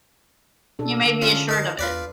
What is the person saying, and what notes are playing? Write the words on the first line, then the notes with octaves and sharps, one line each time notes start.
You may be assured of it.
B2 D4 A4
D3
C#4 F4
D#4 A#4 A5
E2 F4 B4 D5